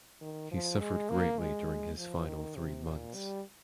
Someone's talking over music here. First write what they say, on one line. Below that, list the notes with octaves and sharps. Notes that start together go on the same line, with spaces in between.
He suffered greatly during his final three months.
D#3
F3
G#3
A#3
G#3
F3
D#3
C3
A#2
G3